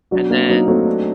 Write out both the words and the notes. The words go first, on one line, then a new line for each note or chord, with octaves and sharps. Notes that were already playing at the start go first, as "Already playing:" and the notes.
and then,
F#3 D4 F#4
A#3 D4 F#4
F#3 C4 D#4
F#3 A3 C4
D4